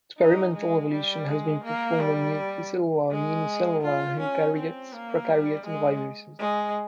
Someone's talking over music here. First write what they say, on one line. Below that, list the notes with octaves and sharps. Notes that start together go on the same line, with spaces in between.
Experimental evolution has been performed on multicellular and unicellular eukaryotes, prokaryotes, and viruses.
D#4
G#3
G3
G#3
A#3
G3
G#3
F4
C#4
C4
A#3
G3
G#3
G#3